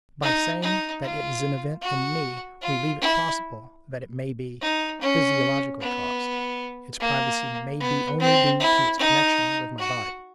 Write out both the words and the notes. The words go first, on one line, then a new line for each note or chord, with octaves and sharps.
By saying that it is an event in me, we leave it possible that it may be PHYSIOLOGICALLY caused: its privacy may be only due to its connection with my body.
D#4
D#4
F4
F#4
F4
E4
D#4
C#4
B3
A#3
B3
C4
E4
D#4
F#4